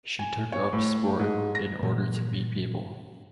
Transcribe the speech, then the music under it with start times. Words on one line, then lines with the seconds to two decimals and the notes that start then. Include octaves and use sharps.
She took up sport in order to meet people.
0.19 G#5
0.52 C#5
0.73 A2
1.19 G#2
1.55 A#6
1.83 A#2 E3 F#3 G#3